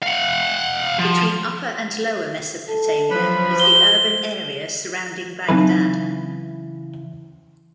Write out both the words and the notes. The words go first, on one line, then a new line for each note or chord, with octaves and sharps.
Between Upper and Lower Mesopotamia is the urban area surrounding Baghdad.
F5 F#5
F3
A4
F3 F#3 B4
C5 G7
C#3 E3 F#3 C4 D#4 B4